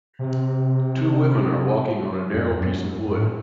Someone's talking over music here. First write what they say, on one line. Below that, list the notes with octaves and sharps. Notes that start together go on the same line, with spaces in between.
Two women are walking on a narrow piece of wood.
C3
F#2
F2
F#2
F#2
G#2
A2